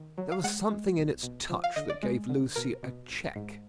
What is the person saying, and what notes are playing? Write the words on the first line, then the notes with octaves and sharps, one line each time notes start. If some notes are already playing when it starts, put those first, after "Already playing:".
There was something in its touch that gave Lucie a check.
Already playing: D#3
F#3
F5
G#3 F#5
G#3
B1
B2
F3
F5
D3 D#5
D5
G#3
D3
B2 A#4
B2
G#1
G#2